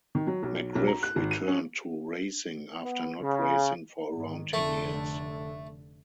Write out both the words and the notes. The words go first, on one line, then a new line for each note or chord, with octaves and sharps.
McGriff returned to racing after not racing for around ten years.
D#3
F#3
B1
B1
A#5
F#6
G#1
D#7
C#4
B3
C#3
G#2 D#3
F1 D3 A3